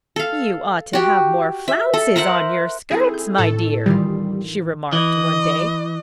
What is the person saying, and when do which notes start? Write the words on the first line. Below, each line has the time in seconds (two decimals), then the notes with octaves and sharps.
"You ought to have more flounces on your skirts, my dear," she remarked one day.
0.16 A4 F5
0.93 F#4 G4
1.68 E5
1.94 A4
2.16 A#4 C5 E5 F#5
2.91 C4 E4 G#4 A4
3.14 G6
3.38 A2 A4
3.86 D#3 E3 G3 F4
4.93 E3 D#5